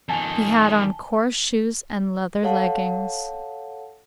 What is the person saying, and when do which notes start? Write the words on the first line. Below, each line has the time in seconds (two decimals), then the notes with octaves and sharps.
He had on coarse shoes and leather leggings.
0.09 F2 D#3 G#5 A5 G7
2.43 A4 C#5 F5 F#5 A5